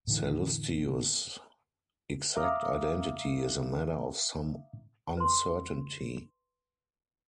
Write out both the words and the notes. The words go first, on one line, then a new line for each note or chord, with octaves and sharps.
Sallustius' exact identity is a matter of some uncertainty.
A2 D3 E3
E5 F5 A#5 D6 D#6 F6
B4 C6